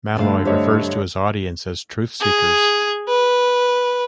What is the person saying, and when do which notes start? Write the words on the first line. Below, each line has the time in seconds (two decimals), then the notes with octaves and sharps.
Malloy refers to his audience as "Truthseekers".
0.16 G2 B2 D3 A3 F5
0.45 A3 G4 C5 C#5 D#5
2.21 G#4
3.09 B4